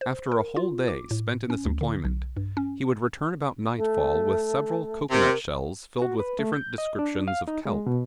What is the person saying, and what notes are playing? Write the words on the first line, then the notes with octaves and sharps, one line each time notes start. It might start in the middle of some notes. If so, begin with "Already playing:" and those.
After a whole day spent in this employment, he would return about nightfall with several cocoanut shells filled with different descriptions of kelp.
C5
A#4
F4
D6
A2
C#4
D2
D3
B1
G2
C#4
A3
C3 A#4
F#4
B4
A3
G6
D#5
D4
F5
D#4
G#3
B2